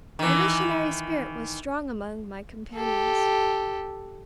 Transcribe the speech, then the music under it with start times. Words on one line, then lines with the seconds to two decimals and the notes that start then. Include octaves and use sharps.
The missionary spirit was strong among my companions.
0.19 D#3 E3
2.75 G4 A4